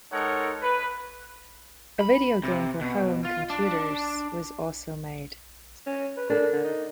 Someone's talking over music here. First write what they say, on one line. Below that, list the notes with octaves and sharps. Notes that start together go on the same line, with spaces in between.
A video game for home computers was also made.
G#3 D#4 A4 A#4 C#5 F#5
B4
B5
C3
B2
F4
D4
C#4
B4
D4 A4 A#4
D3
D#4